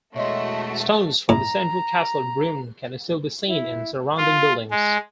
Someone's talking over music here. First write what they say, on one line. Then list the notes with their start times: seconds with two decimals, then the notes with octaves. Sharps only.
Stones from the central castle ruin can still be seen in surrounding buildings.
0.16 B2 G#3 A3 F#4 C#5 D#5 E5 C6
1.29 A2 A#5
3.47 E4
4.18 F4
4.71 G#3